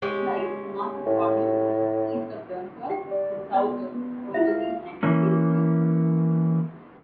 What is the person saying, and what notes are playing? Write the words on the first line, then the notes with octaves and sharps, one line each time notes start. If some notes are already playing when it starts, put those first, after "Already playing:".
It lies north of Horton, east of Dunkirk and south of Alderley and Hillesley.
G#3 C#4 G4
A2
G4 G5
D5
B3 D5 D#5 C6
B3
E4 F4 E5 F#5
F5
E3 A#3 C#4